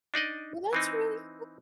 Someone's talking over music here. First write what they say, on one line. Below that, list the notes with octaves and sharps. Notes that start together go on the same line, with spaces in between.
Well, that's really
D4 D#4 D5 D#5
E3 C4 D#4